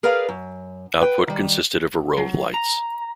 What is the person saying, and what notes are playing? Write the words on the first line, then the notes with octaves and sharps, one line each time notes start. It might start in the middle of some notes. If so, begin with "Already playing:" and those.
Output consisted of a row of lights.
G#4 A#4 B4 D5 F5
F#2
B4 G5
D#3 G3
F#3
A#5